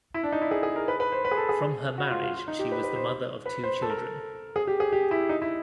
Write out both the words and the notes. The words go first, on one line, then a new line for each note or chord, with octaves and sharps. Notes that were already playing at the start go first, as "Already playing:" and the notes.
From her marriage she was the mother of two children.
E4
D4
D#4
E4
G#4
G#4
A#4
B4
B4
C5
B4
G#4
A4
G#4
F#4
F4
F4
F4
D#4
G4
B4
B4
C5
B4
C5
A4
A#4
A4
G#4
G4
G#4
G4
E4
D#4
E4